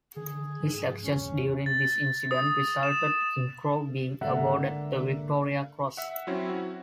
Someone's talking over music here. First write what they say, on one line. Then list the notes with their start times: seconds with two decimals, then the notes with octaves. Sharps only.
His actions during this incident resulted in Crowe being awarded the Victoria Cross.
0.16 D3 D#3 G#4
0.60 G#2 F3
1.03 F#1 E2 G#2 C#4
1.66 A6
2.31 D#6
2.83 E7
4.21 G#1 D3 A#3 D5 E5 F#5
5.97 E5 F#5
6.27 F#3 C4 C#4 E4 F#4
6.49 F#4